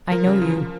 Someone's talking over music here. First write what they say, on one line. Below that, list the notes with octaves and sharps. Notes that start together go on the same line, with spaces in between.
I know you.
F3 A#4
C#3
F3
F3